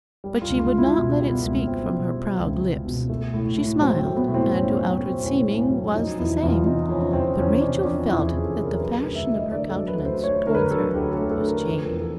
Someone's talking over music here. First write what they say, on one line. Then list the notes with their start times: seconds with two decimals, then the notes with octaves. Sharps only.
But she would not let it speak from her proud lips. She smiled, and to outward seeming, was the same; but Rachel felt that the fashion of her countenance towards her was changed.
0.24 G3
0.42 F4
0.48 C#2
0.60 F4
0.71 C#2
0.78 E4
0.95 B2
1.19 G3
1.31 B3
1.43 C#2
1.66 C#2 C4
1.90 B2
2.14 G3
2.38 C#2
2.62 C#2
2.86 B2
3.10 A3
3.34 A2
3.58 A2
3.80 F#3 C4
3.99 C4
4.05 A3
4.16 B3
4.28 A2
4.34 C4
4.52 A2 C#4
4.70 B3
4.76 F#3
4.88 C4
5.00 A3
5.05 C4
5.23 A2 C#4
5.47 A2
5.59 C#4
5.71 F#3
5.95 F3 D#4
6.19 E2 E4
6.43 E2 F4
6.66 C3 D#4
6.89 F3 C#4
7.13 E2 C4
7.37 E2 C#4
7.61 C3 D4
7.85 F3 D4
8.08 E2 E4
8.27 G#4
8.33 E2
8.44 A4
8.56 C3
8.63 A#4
8.80 F#3 B4
8.98 A#4
9.04 D2
9.15 E5
9.28 A3
9.34 D#5
9.52 D3 D5
9.69 A4
9.76 F#3
9.87 B4
9.99 D2
10.05 C5
10.23 A3 C#5
10.46 D3 A#4
10.55 B4
10.62 A#4
10.71 F#3 A4
10.94 D2 G4
11.12 A4
11.19 A3
11.31 A4
11.42 D3
11.48 A#4
11.66 F3 B4
11.83 A#4
11.89 E2
12.01 A4